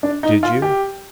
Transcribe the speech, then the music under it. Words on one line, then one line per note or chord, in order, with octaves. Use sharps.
"Did you?"
D4
D#4
F4
G4